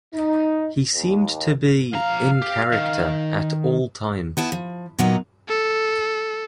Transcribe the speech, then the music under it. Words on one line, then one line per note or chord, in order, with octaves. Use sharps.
He seemed to be "in character" at all times.
D#4
D#2
F3 F5 A#5
G4
D#3
B3 E4 A5
F3
A#2 F#3 A#3 B3 D#4
A4